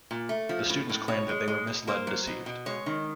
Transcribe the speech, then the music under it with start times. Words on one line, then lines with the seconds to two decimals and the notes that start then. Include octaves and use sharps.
The students claimed that they were misled and deceived.
0.11 A#2
0.29 A3
0.49 F3
0.69 A2
0.89 A2
1.08 B2 C#5
1.29 G#3
1.48 G#3
1.67 B2
1.87 A#3 C5
2.07 F#3
2.27 B2
2.46 B2
2.66 G#3 C#5
2.86 D#3